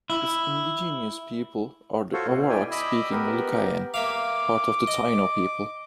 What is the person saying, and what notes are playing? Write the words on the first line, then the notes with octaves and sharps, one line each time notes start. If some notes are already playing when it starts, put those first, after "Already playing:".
Its indigenous people are the Arawak-speaking Lucayan, part of the Taino people.
E4
F4 F#4 A4 C5 C#5
B2
E4 D5 G5 G#5
D#5 B5 D6 E6
B3 G4 A#4
A#3 E5 F5 D6
D#5